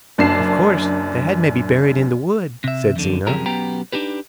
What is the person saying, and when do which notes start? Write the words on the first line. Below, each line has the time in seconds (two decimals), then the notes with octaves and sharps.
"Of course, the head may be buried in the wood," said Zena.
0.18 F#1 F#2 D4 A5 C7 E7
2.64 C3 E5
2.96 F2 D3
3.27 F#2 C3 F3 G4 G#4 A#4
3.46 F#2 B2 B3 G4 G5 A#5
3.93 D4 D#4 G4 B4